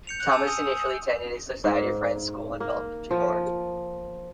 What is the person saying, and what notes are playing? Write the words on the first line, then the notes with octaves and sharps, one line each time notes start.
Thomas initially attended a Society of Friends school in Baltimore.
G6 C#7 F7
F#6
G#5 A5 E6 E7
D#6
G#2
A#3
F3